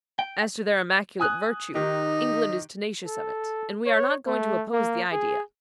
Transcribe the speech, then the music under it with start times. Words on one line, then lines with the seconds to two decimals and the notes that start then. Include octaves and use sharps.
As to their immaculate virtue, England is tenacious of it, and we are not going to oppose the idea.
0.19 G5
1.20 G#5 D#6 F#6
1.75 D#3 D#4 G4
3.06 A4
3.86 C#5
4.26 A3
4.72 A#3
5.12 G#4